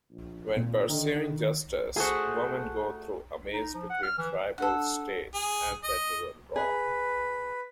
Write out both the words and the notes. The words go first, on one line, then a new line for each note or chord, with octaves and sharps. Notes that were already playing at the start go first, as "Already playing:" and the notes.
When pursuing justice women go through a maze between tribal, state and federal law.
A#1
G#1 A#2
D3 D#3
A3 F#4 G#4 C5
D#4
F3
F#5
F6
E3
D4 A4 F#5
G#4
D#5
G#4 B4